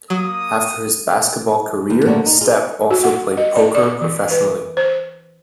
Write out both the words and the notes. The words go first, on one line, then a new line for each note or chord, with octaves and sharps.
After his basketball career, Stepp also played poker professionally.
F#3 A#3 D#6
D#2
D3 G3 A3 A#3 D4
D#4
F4 G#4
F#4
F#5
D#5
D5
D5
E3
B4
C5